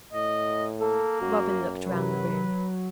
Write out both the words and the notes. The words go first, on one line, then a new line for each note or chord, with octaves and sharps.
Robin looked round the room.
A2 D#5
A#3 A4
F#2 F#4
C3 F#3 B4